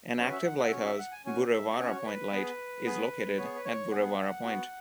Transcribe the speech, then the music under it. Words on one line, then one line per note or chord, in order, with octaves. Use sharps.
An active lighthouse, Burrewarra Point Light, is located at Burrewarra Point.
C#4 F#4 B4
E5
F#5
F#5
E5
C#4 F#4 C#5
E5
F#5
G#5
C#4 F#4 G#5
E5
C#4 F#4 C#5
B4
B3 G#4
B3 G#4
B3 G#4 C#5
B4
C#5
B3 G#4 F#5
B3 F#4